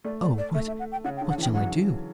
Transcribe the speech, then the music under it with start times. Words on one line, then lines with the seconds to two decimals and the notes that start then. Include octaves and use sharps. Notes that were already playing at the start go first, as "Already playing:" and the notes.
Oh, what!--what shall I do?
0.04 A3 D5
0.22 D5
0.38 D5
0.55 A3 E5
0.67 E5
0.79 F#5
0.92 G5
1.04 C#3 F#5
1.17 G5
1.21 D3
1.29 F#5
1.38 E3 G5
1.54 F#3 F#5